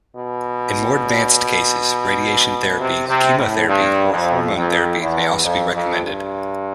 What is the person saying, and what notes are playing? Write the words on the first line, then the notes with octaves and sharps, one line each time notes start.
In more advanced cases, radiation therapy, chemotherapy or hormone therapy may also be recommended.
B2
C3
C3
A2
G2
F2
F2
E2
F2
F2
G2